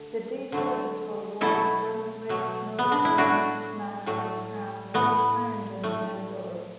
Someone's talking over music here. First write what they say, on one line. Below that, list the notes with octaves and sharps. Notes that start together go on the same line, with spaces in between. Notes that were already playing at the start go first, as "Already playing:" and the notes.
The data is for wards "Brunswick", "Milverton", "Manor", "Crown", "Clarendon" and "Willes".
Already playing: D3 A3
D3 F#3 A3
B2 F#3 A3 E4 A4
B2 F#3 A3
B3
D4
E4
A2 F#3 A3 D4 F#4
A2 F#3 A3
A2 A3 B3
A2 A3